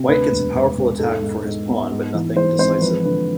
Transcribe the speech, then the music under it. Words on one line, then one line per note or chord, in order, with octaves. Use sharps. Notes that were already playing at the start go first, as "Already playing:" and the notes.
White gets a powerful attack for his pawn but nothing decisive.
Already playing: C3
D2 B4
E1
E1
E1
G#2 A4
G#2
G#2
B3
G#2
E3
E3 C5
G#1 C5
F3 B4
D3 B4